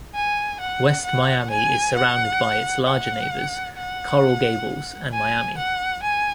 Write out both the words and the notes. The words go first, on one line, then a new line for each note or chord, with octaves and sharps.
West Miami is surrounded by its larger neighbors, Coral Gables and Miami.
G#5
F#5
F#5
G#5
F#5
F#5
F#5
G#5
F#5
G#5